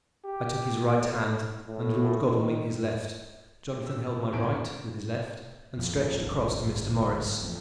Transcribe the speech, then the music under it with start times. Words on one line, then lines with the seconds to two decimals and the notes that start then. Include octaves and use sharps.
I took his right hand, and Lord Godalming his left; Jonathan held my right with his left and stretched across to Mr. Morris.
0.25 G4
0.91 A2
1.67 A2
2.24 D#3
3.83 G4 E6
4.32 E2 A2 C#4 C5 D7
5.78 F2
5.96 D2 A2 C#3 F3
6.12 D1 G1 C2
7.41 A1 F2